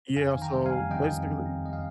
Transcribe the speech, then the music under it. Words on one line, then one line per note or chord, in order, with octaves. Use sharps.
Yeah, so basically
F2 F5 G#5
D#3
G5 A#5
G3
F5 G#5
F2
D#3 D#5 G5
F2
F2
C#4
F2 D#5
F5